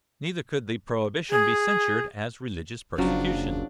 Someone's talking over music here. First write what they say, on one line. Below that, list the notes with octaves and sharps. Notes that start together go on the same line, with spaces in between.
Neither could the prohibition be censured as religious persecution.
G#4
F#1 C#3 F3 F#3 D4